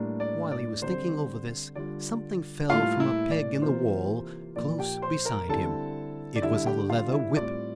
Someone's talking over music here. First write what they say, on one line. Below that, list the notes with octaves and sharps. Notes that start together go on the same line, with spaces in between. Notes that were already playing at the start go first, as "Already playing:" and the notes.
While he was thinking over this, something fell from a peg in the wall, close beside him; it was a leather whip.
Already playing: A2 G3 A#3 D4
D5
D5
D3 G3 C4 C5
D3 G3 D4 F4 D5
A2 G3 A#3 E4 F4 F5
E4 E5
D5
C3 E3 A#3 F4 C5
A#2 F3 A#3 D5
G4 G5
C5 C6
A#4 A#5
D3 G3 C4 E4 A4 A5
D5
D3 G3 D4 E4 E5
G4 G5
F4 F5
E4 E5
A2 G3 C4 F4 D5 D6